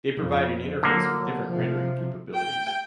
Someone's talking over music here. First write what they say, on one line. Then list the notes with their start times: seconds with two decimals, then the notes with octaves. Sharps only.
They provide an interface with different rendering capabilities.
0.19 F2
0.83 D3 F#3 A#3
1.45 C3 F3
2.34 G5